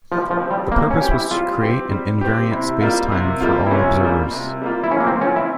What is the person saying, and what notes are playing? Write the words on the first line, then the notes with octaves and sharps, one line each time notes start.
The purpose was to create an invariant spacetime for all observers.
F3 G3
F3
C4 G4
G3
G3 A#3
C#4
C4 G4
E4
G3 F4
C4 G4
G3
C4 G4
C3 E4
G3 A#3 F4
C3
G3 A#3 F4
E4
C3 C#4
G3 A#3 F4
C3
G3 A#3 F4
E4
F3 C#4
A#3
C4
C4 C#4 F4
E4